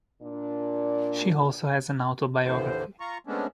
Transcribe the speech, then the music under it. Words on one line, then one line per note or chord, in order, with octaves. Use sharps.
She also has an autobiography.
A#2 D4
D#2 A2 D3 E3 C5
F4 A#5 C#6
C3 G#3 A3 B3 C#4 D4